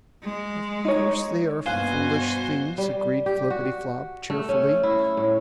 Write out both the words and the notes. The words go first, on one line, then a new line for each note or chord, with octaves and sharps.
"Of course, they are foolish things," agreed Flippityflop, cheerfully.
G#3
D#4 C#5
G2 B2 F#4 C5 F5 G#5 F#6
G3
G4
F#4
A3
C#4
E4
A2